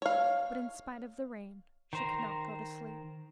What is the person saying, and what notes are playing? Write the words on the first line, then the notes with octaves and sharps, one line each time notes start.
But in spite of the rain she could not go to sleep.
C#5 F5
D#3 C5 A#5